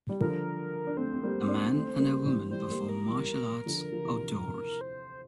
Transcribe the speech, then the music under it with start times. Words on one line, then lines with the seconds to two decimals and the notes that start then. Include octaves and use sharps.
A man and a woman perform martial arts outdoors.
0.09 G3
0.20 D3 F3 A#4
0.87 D4
0.97 A3 C4 C5
1.13 C4
1.23 G3 A#3
1.42 C4
1.48 A#3 D4
1.73 A3 C4
1.99 G3 A#3
2.25 E3 G3
2.50 E3 G3 C5
2.70 G3 A#3
2.89 A#4
3.08 E3 G3
3.66 D3 F3
3.92 F3
4.05 C3 E3
4.81 C5